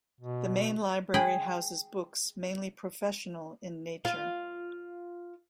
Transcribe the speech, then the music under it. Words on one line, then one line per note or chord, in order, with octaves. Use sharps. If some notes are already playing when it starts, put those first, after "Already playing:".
The Main Library houses books, mainly professional in nature.
B2
G#4 G5 B5
F4 F5